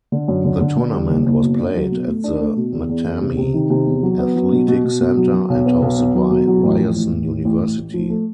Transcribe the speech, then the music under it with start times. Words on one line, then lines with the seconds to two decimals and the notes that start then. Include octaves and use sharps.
The tournament was played at the Mattamy Athletic Centre and hosted by Ryerson University.
0.12 D3
0.28 F#2
0.44 D3
0.61 D3
0.77 D3
0.93 G3
1.10 F#1
1.26 F#1
1.42 B2
1.58 D4
1.75 F#3
1.91 B2
2.07 A3
2.24 D4
2.40 A3
2.56 B2
2.72 E2
2.89 E2
3.05 E2
3.21 C3
3.37 C3
3.54 D#3
3.70 C3
3.86 E2
4.03 F#3
4.19 B3
4.36 F#3
4.52 B2
4.68 B2
4.84 B2
5.00 B2
5.17 F#3
5.33 F#3
5.50 B1
5.66 B3
5.82 B1
5.98 B3
6.15 F#3
6.31 B2
6.47 F#3
6.64 A1
6.80 F3
6.96 A1
7.12 A1
7.29 A2
7.45 A1
7.61 A1
7.77 A2
7.94 F3
8.10 A3